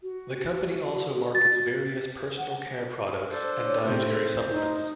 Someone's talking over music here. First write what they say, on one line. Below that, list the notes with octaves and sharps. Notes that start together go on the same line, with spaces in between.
The company also markets various personal care products and dietary supplements.
F#4
A6
F#5
D4 A4 C5
C#5
A2 C3 A4 C5
D#4